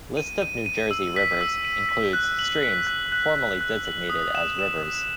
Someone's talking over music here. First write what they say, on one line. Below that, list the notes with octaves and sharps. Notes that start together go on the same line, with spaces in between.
List of New Jersey rivers includes streams formally designated as rivers.
D#7
D#7
D#7
E6
B6
E6
D#7
B6
F#6
F#7
B6
F#6
F#6
F#6
F#6
F#7
D#6
E7
E7
D#6